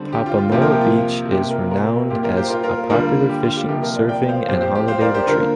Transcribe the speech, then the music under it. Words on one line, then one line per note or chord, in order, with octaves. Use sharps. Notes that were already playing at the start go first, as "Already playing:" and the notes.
Papamoa Beach is renowned as a popular fishing, surfing, and holiday retreat.
Already playing: D3 G3 C4
G4
F4
F4
C3 F3 A#3 G4
F4 A#4
G4
F4
C3 A#3 G4
F4 A#4
F4 A#4
A#2 A#3 G4
F4 A#4
G4 C5
F4 A#4
F4 A#4
D3 G3 A#3 F4 A#4
G4
F4
G4
C3 F3 A#3 G4
F4 A#4
A#4 D5
D5 G5
C5 F5
A#2 F3 C4 G4 C5
G4 C5
G4
C5 F5
A#4 D5
G4 C5
D3 A#3 F4 A#4